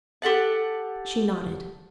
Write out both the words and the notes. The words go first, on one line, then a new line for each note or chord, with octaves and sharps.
She nodded.
G4 A4 F#5 A5